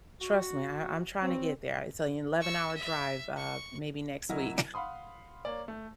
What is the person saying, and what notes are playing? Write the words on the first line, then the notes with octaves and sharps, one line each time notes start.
trust me, I I'm trying to get there. It's on eleven hour drive, uh, maybe next week
F#4
F#3 G3 C4 F#4
C#6 E6
E5
C#6
C2 F#3 E4 A#4 D#5 F6
F5 F#5 B5 C6 D#6
A#3 C#5 D5
A3